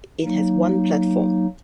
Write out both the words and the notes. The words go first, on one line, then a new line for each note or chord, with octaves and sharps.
It has One platform.
F#3 A#3 D#4